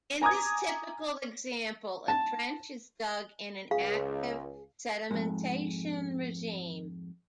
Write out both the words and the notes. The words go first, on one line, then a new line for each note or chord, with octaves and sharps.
In this typical example, a trench is dug in an active sedimentation regime.
G#5 A#5 D6 D#6 G#6
A5
C#2 G#4 F5
F2 G#2